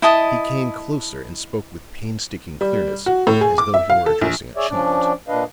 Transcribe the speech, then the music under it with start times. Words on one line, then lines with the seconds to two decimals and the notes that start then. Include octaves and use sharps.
He came closer and spoke with painstaking clearness, as though he were addressing a child.
0.02 E4 D#5 A5 D#6
2.61 G3
3.06 F#4
3.27 A2
3.41 G#4
3.58 D6
3.74 E5
3.90 F5
4.06 A4
4.21 A#1
4.57 G#4 C#5 D5 E5
4.70 F3 C#4 D4 D5
5.28 A#2 D4 B4 D#5 F5